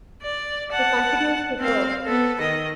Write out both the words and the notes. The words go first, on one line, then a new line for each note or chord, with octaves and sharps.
He continues to tour.
D5
F#5 A5
C4 F5
B3 A4
D#3 D#5